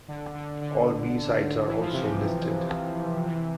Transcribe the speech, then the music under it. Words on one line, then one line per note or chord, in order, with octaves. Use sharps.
All B-sides are also listed.
D3
D3
D3
E3
F3
C3 E3
C3 E3